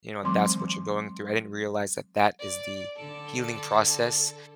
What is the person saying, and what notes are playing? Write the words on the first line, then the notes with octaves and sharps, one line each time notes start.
you know," that's what you're going through. I didn't realize that that is the healing process."
E3 F#3 G#3 C4 C6 D6
D5
D3 A4 D5